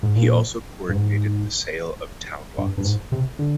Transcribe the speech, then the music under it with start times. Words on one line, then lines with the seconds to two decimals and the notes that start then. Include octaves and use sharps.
He also coordinated the sale of town lots.
0.03 G#2
0.15 A#2
0.89 G2
0.95 G#2
2.58 G2
2.78 G2
2.85 G#2
3.12 C3
3.39 D3